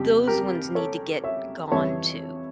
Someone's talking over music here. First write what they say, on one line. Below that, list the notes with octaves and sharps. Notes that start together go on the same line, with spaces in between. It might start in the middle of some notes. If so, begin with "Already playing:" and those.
Those ones need to get gone, too.
Already playing: F2 C#3 G3 G4
G4 A#4
A4 C#5
C#5 E5
F2 E3 G3 C#5 E5